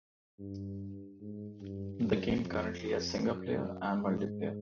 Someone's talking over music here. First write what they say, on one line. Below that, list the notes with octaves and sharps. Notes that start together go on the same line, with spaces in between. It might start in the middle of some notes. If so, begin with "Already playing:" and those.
The game currently has singleplayer and multiplayer.
G2
G#2
G2
F#2
F2
F2
F#2
G#2